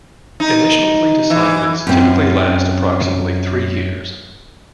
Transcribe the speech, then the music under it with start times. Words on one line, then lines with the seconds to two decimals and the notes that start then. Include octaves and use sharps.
Initial fleet assignments typically last approximately three years.
0.40 D#4
1.30 E3
1.87 F#2 C4